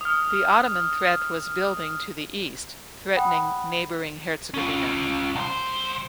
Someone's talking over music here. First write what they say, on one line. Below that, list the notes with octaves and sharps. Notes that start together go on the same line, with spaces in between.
The Ottoman threat was building to the east, threatening neighboring Herzegovina.
D#6 F6
F#5 G5 B5 D#6 F#6
C#4 F4
C2 C5